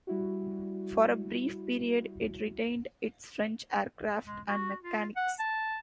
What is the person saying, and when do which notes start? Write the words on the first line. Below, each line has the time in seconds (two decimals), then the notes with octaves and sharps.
For a brief period it retained its French aircraft and mechanics.
0.07 G3 E4 F#4
4.27 G#3
4.49 F#4
4.83 F4
5.16 F#5
5.39 A5